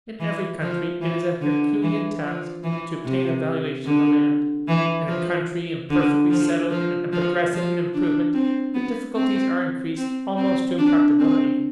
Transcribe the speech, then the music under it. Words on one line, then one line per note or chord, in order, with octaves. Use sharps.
In every country it is a herculean task to obtain a valuation of the land; in a country imperfectly settled and progressive in improvement, the difficulties are increased almost to impracticability.
E3
F3
E3
D3
E3
F3
E3
C3
D3
E3
F3
D3
F3
F3
F3
F3
D4
C4
B3
C4
C4
C4
D4
C4